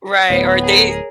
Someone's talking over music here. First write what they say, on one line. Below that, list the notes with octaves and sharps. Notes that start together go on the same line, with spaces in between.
Right, or they
D1 A2 B3 C#5
G#4 A#4